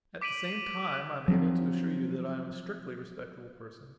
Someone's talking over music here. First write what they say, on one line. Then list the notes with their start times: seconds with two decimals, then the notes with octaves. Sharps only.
At the same time I am able to assure you that I am a strictly respectable person.
0.22 D6 B6 D7 D#7 F#7
1.28 F3 F#3 B3 C4